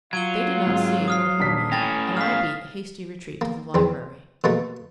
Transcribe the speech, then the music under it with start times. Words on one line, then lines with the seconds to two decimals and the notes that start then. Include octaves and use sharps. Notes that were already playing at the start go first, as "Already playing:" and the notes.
They did not see or hear me, and I beat a hasty retreat to the library.
0.13 F#3 F4 G#6 D#7 G7
0.67 G#2 C4
1.08 D#6 F6 C7
1.39 D#1 D4 B6
1.72 A2 C#4 G5 A6 A#6
2.17 F5 F6 B6
3.41 A#3
3.74 E2 C4
4.44 B2 A3 A#3